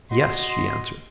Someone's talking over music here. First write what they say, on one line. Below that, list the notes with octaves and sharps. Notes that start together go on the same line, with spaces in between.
"Yes," she answered.
F#4 D#5 C6